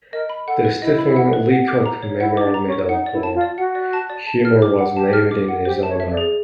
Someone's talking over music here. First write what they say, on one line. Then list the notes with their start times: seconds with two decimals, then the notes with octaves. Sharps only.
The Stephen Leacock Memorial Medal for Humour was named in his honour.
0.13 A#4 D#5
0.29 B5
0.47 A4 F#5
0.65 B4
0.82 E4 D#5
0.98 B5
1.16 F#5
1.33 B4
1.51 F#5
1.68 D6
1.86 A#5
2.03 C#5
2.20 E4 F#5
2.37 D#4 D6
2.43 D4
2.54 A#5
2.66 C#4
2.72 C#5
2.89 D#4 F#5
3.06 D5
3.12 E4
3.23 A5
3.35 F4
3.41 D5
3.58 F#4 F#5
3.75 D5
3.93 A5
4.10 D5
4.27 A5
4.45 F6
4.62 D6
4.79 F#5
4.96 G4 A5
5.13 F6
5.31 D6
5.48 F#5
5.65 G4 C5
5.83 A5
5.89 C#5
6.00 E5
6.12 D5
6.17 G#4